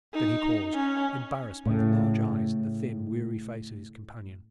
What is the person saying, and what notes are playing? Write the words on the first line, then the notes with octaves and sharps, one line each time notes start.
Then he paused, embarrassed by the large eyes and the thin, weary face of his companion.
D#4
C#4
A2 C#3